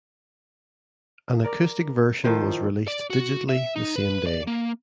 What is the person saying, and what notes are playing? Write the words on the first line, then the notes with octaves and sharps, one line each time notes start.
An acoustic version was released digitally the same day.
A#4 D5
A2 D#3 F3 C5
D5
F#4
E5
D#4
B4
D5
A#3